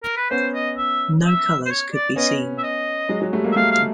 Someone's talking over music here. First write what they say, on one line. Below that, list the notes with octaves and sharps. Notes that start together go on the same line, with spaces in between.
No colors could be seen.
A#4
B4
B3 C#4 C5
D#5
E5
E5
C5
C#5
D5
B3 C#4 D#5
E5
D#5
F#3 G#3
F#3 G#3
G3 A3
G#3 A#3
E5
G3 A3 F5
F5